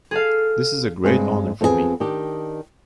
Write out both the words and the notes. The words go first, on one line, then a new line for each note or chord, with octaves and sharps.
This is a great honour for me.
G#4 A4 F5
G2 G#3 C4
F2 B3 C4 E4 G#4
D#3 D4 G4